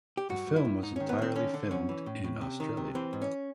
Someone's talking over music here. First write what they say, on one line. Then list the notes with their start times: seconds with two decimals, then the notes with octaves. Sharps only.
The film was entirely filmed in Australia.
0.17 G4
0.29 G2 F#4
0.47 G2
0.56 E4
0.65 G2
0.82 G#2 D#4
0.96 D#3 C#4
1.09 B3
1.18 D#3 C4
1.35 D3 C#4
1.54 D3 D4
1.71 F#2 C#4
1.89 E3
2.06 A2
2.24 A2
2.41 C3
2.60 D#3
2.77 C3
2.95 E3 C4
3.13 G#2
3.22 C#4